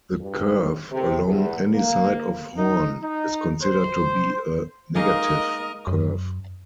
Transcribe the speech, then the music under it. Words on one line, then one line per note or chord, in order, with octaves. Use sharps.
The curve along any side of horn is considered to be a negative curve.
G2
C3
E2
A#3
D#4
D#4
C5
G#3 A#3 D#4 A#4 D#5
F#2